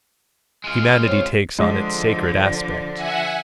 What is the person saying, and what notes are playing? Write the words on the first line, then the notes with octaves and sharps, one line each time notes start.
Humanity takes on its sacred aspect.
G#3 F4
C4 C#5
D3 F3 G#3
D5
E5 F#5 G#5